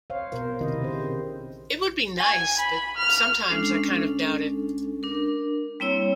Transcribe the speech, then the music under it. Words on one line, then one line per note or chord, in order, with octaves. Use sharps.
It would be nice, but sometimes I kind of doubt it.
C5 C#5 F5
B2 A#4 C5
C3 D#3 C4 E4 D#5
C#3 C5
G#5
B5
F6
G#3 C#4 D4 A4
D4 A#4
G3 A#3 C4 E4 C#5 E6